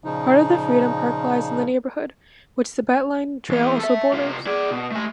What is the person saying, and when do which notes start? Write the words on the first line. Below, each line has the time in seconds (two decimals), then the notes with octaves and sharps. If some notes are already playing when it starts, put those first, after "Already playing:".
Part of Freedom Park lies in the neighborhood, which the BeltLine trail also borders.
0.04 A#2 C#3 F3 D#4
3.51 E3 B3
3.79 A4 E5
4.13 C3 F4
4.47 G#4 D5
4.71 B2
4.92 A3 G#5